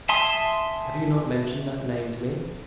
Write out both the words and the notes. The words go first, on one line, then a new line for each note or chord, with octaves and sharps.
"Have you not mentioned that name to me?"
E5 G#5 A5 C6 D#6